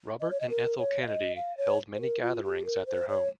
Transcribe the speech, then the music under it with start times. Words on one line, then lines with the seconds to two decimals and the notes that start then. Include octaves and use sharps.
Robert and Ethel Kennedy held many gatherings at their home.
0.21 D#5
0.31 C#5
0.40 D#5
0.50 A#4
0.78 C#5
1.02 F5
1.07 D#5
1.36 F5
1.57 C#5
1.95 C5
2.01 A#4
2.22 F4
2.44 G4
2.65 A#4
2.86 C5
3.09 C#5